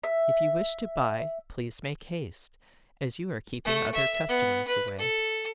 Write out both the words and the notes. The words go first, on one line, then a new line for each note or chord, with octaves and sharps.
'If you wish to buy, please make haste, as you are keeping other customers away.'
E5
A3
E5
B3
B4
A4